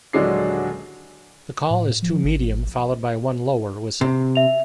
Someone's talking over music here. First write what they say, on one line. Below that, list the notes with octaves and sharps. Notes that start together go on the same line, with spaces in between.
The call is two medium followed by one lower whistle.
D#1 D3 F#3 G#3 D4 C7
A2
F3
G#1
C3
E5 F7